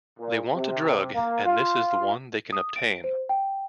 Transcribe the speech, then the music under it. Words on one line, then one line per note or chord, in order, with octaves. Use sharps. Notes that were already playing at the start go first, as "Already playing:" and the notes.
They want a drug and this is the one they can obtain.
A#2
C3
A#3
F4
D#6
D7
C5
G5